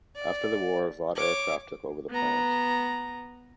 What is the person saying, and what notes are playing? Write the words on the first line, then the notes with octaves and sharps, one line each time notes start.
After the war, Vought Aircraft took over the plant.
D5
C#5 D6
B3 A#5